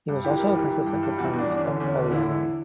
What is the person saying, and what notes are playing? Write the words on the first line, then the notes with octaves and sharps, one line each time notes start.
He was also a consistent proponent of polyamory.
G2
E3 G4
G2 A#4
E3 G4
E3
G2
G2
E2 F#4
E2
D4
E2
C#4
D3
E2 C#4
D3
D3 E4